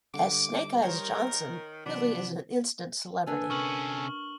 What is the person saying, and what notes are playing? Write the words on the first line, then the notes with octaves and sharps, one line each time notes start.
As Snake Eyes Johnson, Billy is an instant celebrity.
D3 G3 D6
D#3 A#4 C5 C#5 D#5
C3 E3 F#3 B3 D4
A#3 D4 A4 B4 G#5
C3 C#4 C#6 F6 F#7